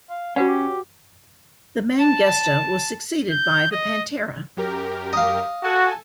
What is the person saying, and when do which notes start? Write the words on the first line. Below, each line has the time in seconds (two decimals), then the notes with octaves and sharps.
The Mangusta was succeeded by the Pantera.
0.09 F5
0.36 G3 C#4 F#4 B4 F#5
0.48 G4
1.98 A5
3.31 G6
3.72 D#5
4.57 F#2 G4 A#4
5.13 D#5 F5
5.63 F#4 A4 G#5 A5